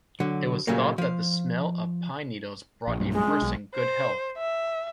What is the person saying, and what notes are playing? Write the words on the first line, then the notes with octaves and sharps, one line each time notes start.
It was thought that the smell of pine needles brought a person good health.
D3 F#3
A#2 C#3 F#3 G3 A3 A#3
F3 F5
A#1
B1 G2 A#2
G#3
D4
B1
C5
E5